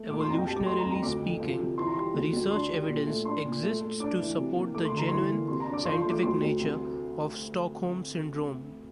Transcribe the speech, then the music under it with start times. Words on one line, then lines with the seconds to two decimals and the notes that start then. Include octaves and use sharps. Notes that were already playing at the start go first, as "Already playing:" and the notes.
Evolutionarily speaking, research evidence exists to support the genuine scientific nature of Stockholm syndrome.
Already playing: A3
0.10 A#2 D6
0.20 C6
0.29 F2 A#5
0.38 G5
0.47 G3 A5
0.56 D6
0.66 A3 C6
0.79 A#5
0.85 F2
0.90 A#5
1.03 D2 D6
1.22 D3
1.40 F3
1.59 C3
1.77 E3 C6
1.86 A#5
1.94 G3 C6
2.14 D2
2.33 D2
2.51 D4 C6
2.70 G3
2.88 A#2
3.07 A3
3.25 D4 C6
3.45 A#2
3.63 A3
3.81 A3
4.00 D4 D6
4.19 E3
4.37 C3
4.55 A#3
4.75 A3 D6
4.85 C6
4.93 D3 A#5
5.08 E3 C6
5.30 A#3
5.48 C3 C6
5.60 A#5
5.67 D4
5.74 D6
5.85 F3 C6
5.97 C6
6.04 A3
6.10 D6
6.23 D2 C6
6.41 D2
6.60 C2